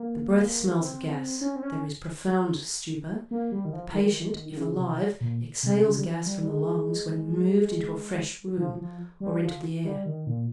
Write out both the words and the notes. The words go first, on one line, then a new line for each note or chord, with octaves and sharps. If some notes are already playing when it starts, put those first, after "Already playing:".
The breath smells of gas; there is profound stupor; the patient, if alive, exhales gas from the lungs when removed into a fresh room or into the air.
Already playing: A#3
C4
C#4
C4
C#4
A#3
G3
D#3
F3
F3
D#3
D#3
C#3
C3
A#2
C3
C#3
G3
F3
G3
G3
G#3
F3
F3
G3
F3
G3
D#3
A#2